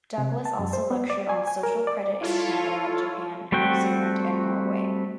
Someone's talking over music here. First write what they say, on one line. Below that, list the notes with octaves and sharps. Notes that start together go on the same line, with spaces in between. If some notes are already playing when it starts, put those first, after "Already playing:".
Douglas also lectured on Social Credit in Canada, Japan, New Zealand and Norway.
C3
A5
F#2
C5
B3
D5
G#5
G#5
A#4
D5
E4 F4 A4 C#5
G3 A3 C4 F#4 G5